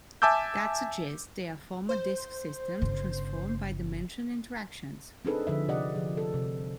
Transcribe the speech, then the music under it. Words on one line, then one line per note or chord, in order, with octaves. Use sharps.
That suggests they are former disk systems, transformed by the mentioned interactions.
E5 G#5 A5 D6 E6 G6
C5
G1 C#3
C4 D4 D#4 G#4 A4 B4
D3 F3 E5
C3 G4 D5 D#5 F#5
D3 F3 G#4
A4
C3